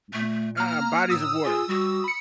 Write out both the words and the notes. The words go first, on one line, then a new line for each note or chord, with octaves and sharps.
Mm-mm, um, bodies of water,
A#2 A3
A#3 A#5 F6
A2 D#6 E6
F4 G#4
G3 F#4
B5 C#7